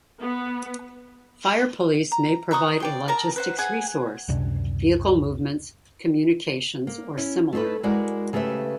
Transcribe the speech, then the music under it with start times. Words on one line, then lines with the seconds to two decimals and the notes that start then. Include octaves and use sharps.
Fire police may provide a logistics resource - vehicle movements, communications or similar.
0.22 B3
2.12 A#5
2.51 B4 A#5 C#6 D#6
2.80 D5 G5 C6
3.08 A#4 A5 A#5
3.36 B4 C5 F#5
3.58 G#4 F#5 G#5
4.28 C#2 F#2 C3 D4
6.87 A#3
7.17 C#4 E4
7.53 A3 D#4 G#4 A4 B4
7.83 G#3 E4 F#4 A#4 D5
8.33 C#3 A3 G4 B4 E5